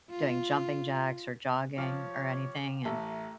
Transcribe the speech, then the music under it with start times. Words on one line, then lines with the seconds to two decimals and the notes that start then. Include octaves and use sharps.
doing jumping jacks or jogging or anything and
0.10 F4
1.78 F3 G4 C#5 F5
2.85 A1 A3 E5 A#5